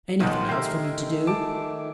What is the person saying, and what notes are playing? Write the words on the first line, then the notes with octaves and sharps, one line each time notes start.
"Anything else for me to do?"
B1 D#3 F3 G#3 D#4 F#5
D#3 A3 G4 A#4 E5 C6
A5 D6